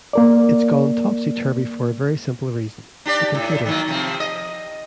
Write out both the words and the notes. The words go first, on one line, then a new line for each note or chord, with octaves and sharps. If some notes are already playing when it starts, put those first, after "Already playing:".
It's gone topsy-turvy for a very simple reason - the computer!
A#3 A#4 D5
D4 G4 D5
A2
D#3 F#3 A#3
C3 F3 C4
D#5